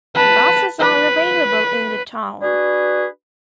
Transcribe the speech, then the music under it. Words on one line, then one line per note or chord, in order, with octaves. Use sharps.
Buses are available in the town.
B4 A5
B4
D4 F#4 G#4 B4